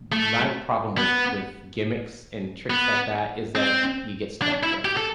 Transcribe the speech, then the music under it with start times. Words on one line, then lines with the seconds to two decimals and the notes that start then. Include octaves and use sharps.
my problem with with gimmicks and tricks like that is that you get stuck there.
0.12 A3
0.98 B3
2.70 B3
3.55 C4
4.42 D4
4.63 E4
4.85 G4
4.97 A4